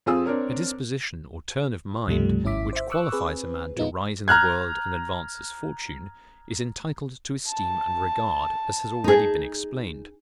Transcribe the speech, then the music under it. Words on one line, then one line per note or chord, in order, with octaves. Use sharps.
A disposition or turn of mind, which qualifies a man to rise in the world and advance his fortune, is entitled to esteem and regard, as has already been explained.
F2 C4 F4 G#4 D#6 E6
C4 D4 A#4 C#5
C#2 G2 C3 F3 G3 A3
G#1 C#4 E4 E5 D6 B6
C5 E5
C#6 D6 E6 F#6
C4 G#4 B4
A#2 F3 G#3 B3 D#4 F4
A#5 F6 F#6 G#6
A5
D#4 G#4